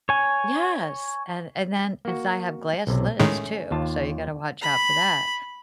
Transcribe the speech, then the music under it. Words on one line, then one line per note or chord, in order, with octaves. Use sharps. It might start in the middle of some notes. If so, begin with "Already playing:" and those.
Yes, and and then and so I have glass lids too, so you gotta watch out for that,
C#5 G#5
A#3 F#4
B1 C3
A2 D#3 G#3 A3 C#4
D#2 F4 A5
B5